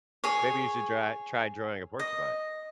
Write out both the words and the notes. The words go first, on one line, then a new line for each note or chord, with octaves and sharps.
Maybe you should dry try drawing a porcupine,
G#4 C#5
D#5